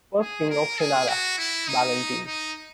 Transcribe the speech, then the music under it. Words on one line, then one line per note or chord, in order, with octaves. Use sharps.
"First King of Shannara" Ballantine.
G#4
A#4
G#4
F#4
E4
D#4
D#4